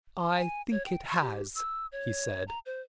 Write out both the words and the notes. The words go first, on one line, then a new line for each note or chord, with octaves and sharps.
"I think it has," he said.
C6
G#5
C#5
G5
C#6
G4
E6
C#5
A#5
C5